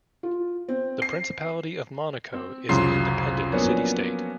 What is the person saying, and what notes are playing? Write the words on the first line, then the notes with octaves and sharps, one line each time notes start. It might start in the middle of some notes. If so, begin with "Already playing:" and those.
The Principality of Monaco is an independent city-state.
F4
C4
C7
C4
C2 F2 C#3 F#3 C6 C7
F3 F#3 A#3 B3 C#4 D4